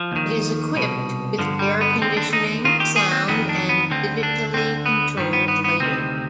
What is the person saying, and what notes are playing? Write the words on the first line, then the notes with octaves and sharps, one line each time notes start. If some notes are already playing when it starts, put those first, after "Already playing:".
It is equipped with air conditioning, sound, and digitally controlled lighting.
Already playing: F3
D#2 D#3
C2 B2
G2 D3 F3
G3
B3
D#2 D3 C4
D4
D#4
D#2 D#3 F4
G4
G#4
C4
F2 D#3 B3
D4
B3
D2 D3 C4
D4
D2 D3 C4
B3
G2 D#3 G3
B3
B3
B3
D2 C3 D#3 C4